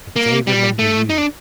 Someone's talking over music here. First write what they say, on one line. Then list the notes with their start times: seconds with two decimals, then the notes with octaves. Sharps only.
But they remember you!
0.16 A#3
0.47 G3
0.79 A3
1.10 D#4
1.18 D4